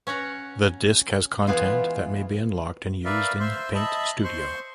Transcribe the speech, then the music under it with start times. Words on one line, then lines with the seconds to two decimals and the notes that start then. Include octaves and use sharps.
The disk has content that may be unlocked and used in "Paint Studio".
0.07 C#4 C#5 F#5 A#5
1.47 E3 G#3 B3 E4 F4
3.05 A#4 B4 D5 E5 F5
3.40 C5 E5 C6
3.75 D#5 E5 A5 B5
4.24 C5 C6 C#6